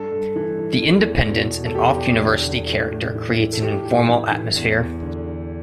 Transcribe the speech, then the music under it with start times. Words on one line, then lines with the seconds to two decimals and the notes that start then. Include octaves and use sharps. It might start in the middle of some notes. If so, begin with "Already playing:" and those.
The independence and off-university-character creates an informal atmosphere.
Already playing: G2 A4
0.11 G2
0.36 E3
0.59 E3
0.81 E2
1.06 E2
1.29 B2
1.52 B2
1.66 A4
1.75 E2 G4
1.98 E2
2.22 D3
2.46 D3
2.69 A2
2.92 A2
3.15 E3
3.39 E3
3.53 A4
3.62 A2 G4
3.85 A2
4.09 E3
4.32 E3
4.56 E2
4.78 E2
5.03 D3
5.26 D3